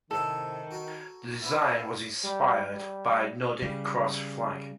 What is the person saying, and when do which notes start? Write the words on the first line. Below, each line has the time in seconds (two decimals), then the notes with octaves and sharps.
The design was inspired by the Nordic Cross flag.
0.11 A2 C3 D#3 A4 F5
0.71 F#4 A#4
1.42 D3 E4 B4 E5
2.24 G3
2.71 G3
3.62 C#3 G3